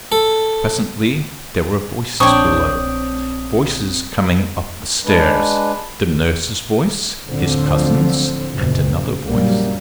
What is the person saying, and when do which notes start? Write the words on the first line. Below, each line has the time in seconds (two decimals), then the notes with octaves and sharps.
Presently there were voices below, voices coming up the stairs--the nurse's voice, his cousins', and another voice.
0.12 A4
2.20 A#1 C4 D4 C#5 G5 C#6 D#6
5.04 G#3 D4 B4
7.29 D2 A2 D3 F3 F#3 C4
8.55 F#1 A#2
9.26 A#1 F#2 F#3 G3 A#3